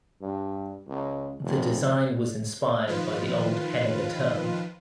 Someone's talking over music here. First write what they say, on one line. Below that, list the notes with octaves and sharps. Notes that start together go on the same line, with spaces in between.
The design was inspired by the old Henninger Turm.
G2
C#2
F1
D#3 F3 F4 B4